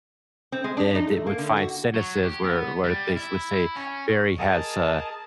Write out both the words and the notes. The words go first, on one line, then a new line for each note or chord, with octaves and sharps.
and it would find sentences where where they s would say berry has, uh,
C4
G#3
D4
D#4
A3
A#3
D3
F#4
F#3
G4
B3
G3
E4
C#4
G#4 A#4 D#5 A5